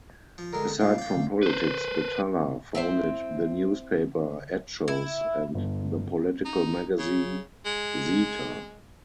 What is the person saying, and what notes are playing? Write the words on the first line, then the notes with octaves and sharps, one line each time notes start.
Aside from politics, Batalla founded the newspaper "Hechos" and the political magazine "Zeta".
F3
D3 G#3 A#4
A#2 G3 F5
D5 G5
D3 A3
B4 C5
C4 E4 C5
E4
G1
D#4
C#3
G#3